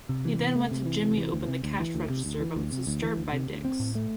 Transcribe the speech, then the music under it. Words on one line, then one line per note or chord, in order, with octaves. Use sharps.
He then went to jimmy open the cash register but was disturbed by Dicks.
C3
E3
C3
A3
C3
E3
C3
E3
D2
C3
D2
E3
D2
C3
D2
E3
D2
C3
D2
E3
D2
C3
D2
C4
A2
A3